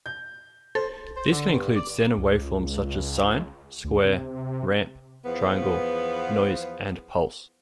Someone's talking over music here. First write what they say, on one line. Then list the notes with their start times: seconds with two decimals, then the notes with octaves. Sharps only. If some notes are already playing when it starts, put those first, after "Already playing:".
These can include standard waveforms such as sine, square, ramp, triangle, noise and pulse.
0.06 G6
0.75 A4 C5
1.17 C5
1.32 D3
1.53 G2
1.76 D5
2.18 C#2
3.85 D2
4.04 C3
5.24 E2 F3 B3